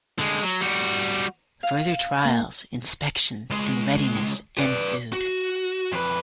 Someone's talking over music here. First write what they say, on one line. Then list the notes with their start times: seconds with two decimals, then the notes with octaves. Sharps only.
Further trials, inspections, and readiness ensued.
0.19 D3 G#3
0.43 F#3
0.61 G3 F#4
1.63 F5
2.25 A#3
3.50 C#2 G#3
4.58 B4 D5
5.13 F#4
5.92 F2 B4